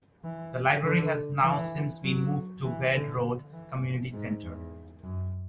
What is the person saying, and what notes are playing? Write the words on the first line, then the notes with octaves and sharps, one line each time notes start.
The library has now since been moved to Baird Road Community Center.
E3
D3
E3
F#3
E3
D3
E3
G#2
E2
F#2